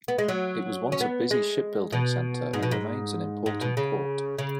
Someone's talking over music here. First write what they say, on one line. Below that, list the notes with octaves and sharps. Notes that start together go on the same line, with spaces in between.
It was once a busy shipbuilding center and remains an important port.
B3
G#3
F#3
C#4
B3
G#3
B2
G#2
B2
G#2
G#2
B2
C#3
C#3